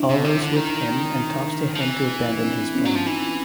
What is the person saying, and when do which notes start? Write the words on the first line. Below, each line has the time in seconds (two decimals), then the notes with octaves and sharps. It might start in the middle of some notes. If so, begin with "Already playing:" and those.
Arlo is with him and talks to him to abandon his plan.
Already playing: D4 E4
0.09 C3
0.20 B2
0.25 C3
0.40 D3
0.56 D#3
1.75 F3
1.80 E3
2.43 C4 D4
2.75 B3 C#4
2.85 F#3
2.95 F3
3.06 E3 D#4 F4